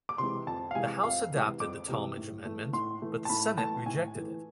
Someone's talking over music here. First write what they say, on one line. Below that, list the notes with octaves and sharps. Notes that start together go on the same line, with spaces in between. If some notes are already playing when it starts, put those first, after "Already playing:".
The House adopted the Tallmadge Amendment, but the Senate rejected it.
D6
C3 E3 G#3 C6
F2 A5
F5
C3 E3 G#3 G#5
F2 F5
C3 E3 G#3
F2 D6
C3 E3 G#3
A2
E3 A3
A2 C6
E3 A3
A5
A2 B5
E3 A3 A5
A2 G#5
E3 A3